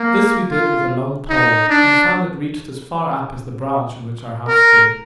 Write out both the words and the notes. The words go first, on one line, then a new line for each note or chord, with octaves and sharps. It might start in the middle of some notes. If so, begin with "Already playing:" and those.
This we did with a long pole, and found it reached as far up as the branch on which our house stood.
Already playing: A#3
F4
D#4
D4
A#4